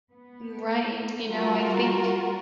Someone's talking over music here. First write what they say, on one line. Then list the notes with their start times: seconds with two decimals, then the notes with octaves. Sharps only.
Mm, right, you know, I think
0.12 B3
1.27 G3 F4 F#4 A#4